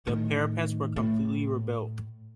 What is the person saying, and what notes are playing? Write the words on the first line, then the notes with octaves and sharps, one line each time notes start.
The parapets were completely rebuilt.
A2 D#3
A2